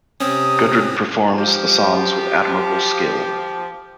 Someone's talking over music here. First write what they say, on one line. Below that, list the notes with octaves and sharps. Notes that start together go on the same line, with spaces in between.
Gudrid performs the songs with admirable skill.
C3 C4 C#4 D#6
F3 G4